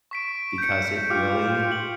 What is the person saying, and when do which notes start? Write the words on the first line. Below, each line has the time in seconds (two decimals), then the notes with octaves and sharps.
"because it really"
0.11 C#6 B6 D7
0.58 G6 C#7
0.82 D7
1.10 F4 G4 D6 F6 C#7
1.72 F#7